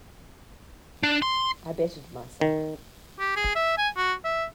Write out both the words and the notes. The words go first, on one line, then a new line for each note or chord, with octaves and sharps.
I bettered myself.
D4
C6
D#3
G4
G#4
E5
G#5
F#4
E5